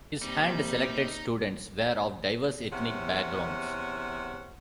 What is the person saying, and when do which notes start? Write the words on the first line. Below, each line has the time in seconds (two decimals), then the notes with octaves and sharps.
His hand-selected students were of diverse ethnic backgrounds.
0.22 C3 G3 A#3 D#4
2.71 E2 C3 C#4 E5 F#5